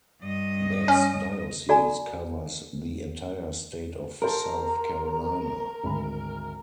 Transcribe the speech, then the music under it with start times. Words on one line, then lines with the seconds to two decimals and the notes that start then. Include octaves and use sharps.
This diocese covers the entire state of South Carolina.
0.21 G2 D#5
0.88 C#4
1.69 F#4 A4 D5 G#5 A#5
4.22 G4 A#4 C5 A5 A#5
5.83 G#1 D2 B5